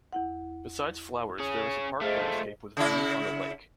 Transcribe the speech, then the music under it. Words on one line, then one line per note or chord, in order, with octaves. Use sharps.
Beside flowers there is a park landscape with views on the lake.
E2 E4 F#5
C#4 G#4
A3 F4 G#4 C5 D#5
C#3 E4